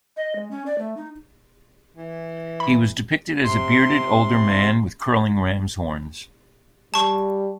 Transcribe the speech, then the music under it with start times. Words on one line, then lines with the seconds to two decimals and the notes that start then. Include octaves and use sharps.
He was depicted as a bearded older man with curling ram's horns.
0.17 D#5
0.36 G#3
0.51 C#4
0.66 D5
0.78 A3
0.97 D#4
1.96 E3
2.60 B5
3.44 C3 C6
6.94 G3 A5 C#6